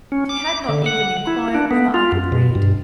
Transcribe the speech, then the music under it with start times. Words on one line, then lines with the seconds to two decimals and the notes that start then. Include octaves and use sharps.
She had not even inquired whether I could read.
0.12 C#4
0.29 D6
0.69 D3
0.86 F#5
1.27 E4
1.55 D4
1.71 B3
1.94 F4
2.12 F#2
2.32 B2
2.55 G2